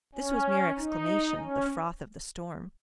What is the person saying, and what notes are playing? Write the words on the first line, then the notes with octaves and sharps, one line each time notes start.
This was mere exclamation--the froth of the storm.
C#4
D#4
C#4